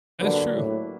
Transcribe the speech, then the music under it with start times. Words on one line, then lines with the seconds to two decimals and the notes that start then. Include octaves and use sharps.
That's true.
0.20 D3 F#3 A#3 D4 G4 B4
0.53 A2